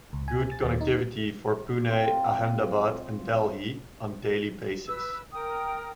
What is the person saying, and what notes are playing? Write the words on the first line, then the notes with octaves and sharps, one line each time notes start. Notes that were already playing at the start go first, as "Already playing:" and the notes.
Good connectivity for Pune Ahemdabad and Delhi on daily basis.
C#2
G#5
A6
D#2
D#4
C4 F4
B4 E6
A#4 G5 D#6